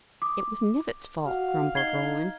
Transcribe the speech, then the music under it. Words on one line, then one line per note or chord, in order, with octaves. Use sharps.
"It was Knivett's fault," grumbled Roland.
D6 D#6
F#4 F5
D#4 G#6 C7 G7